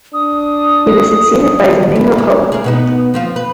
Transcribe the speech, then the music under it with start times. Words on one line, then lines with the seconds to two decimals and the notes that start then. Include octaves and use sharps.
He was succeeded by Domingo Cullen.
0.14 D4 D#6
1.96 E4
2.18 G#3
2.52 G#4 A#4
2.64 B2 B3 D#4
3.14 F3 C4 F4
3.36 B4